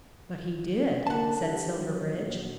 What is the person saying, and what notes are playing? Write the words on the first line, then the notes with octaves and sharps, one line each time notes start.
"But he did," said Silverbridge.
D3 A#3 F#5 A5
G3
F#3
A#1